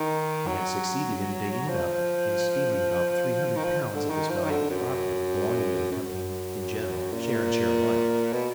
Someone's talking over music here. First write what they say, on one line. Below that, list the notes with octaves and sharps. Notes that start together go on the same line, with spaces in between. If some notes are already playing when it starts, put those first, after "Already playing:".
They had succeeded in digging it up and stealing about three hundred pounds of this valuable property, belonging to the company in general, share and share alike.
Already playing: D#3
F#3
F3
D#3
F3
D3
D#3
F3
D#3
D3
F#2
F#2
A#2
B2